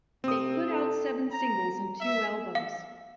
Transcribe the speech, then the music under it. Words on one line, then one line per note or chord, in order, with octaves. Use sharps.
They put out seven singles and two albums.
C3 C4 D#6
A4
A#5
E5
F5